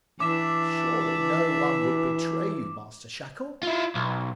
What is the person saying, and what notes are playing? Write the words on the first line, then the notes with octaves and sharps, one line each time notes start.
"Surely no one would betray you, Master Shackle?"
E3 D4 E5 D6
E4 F4
B1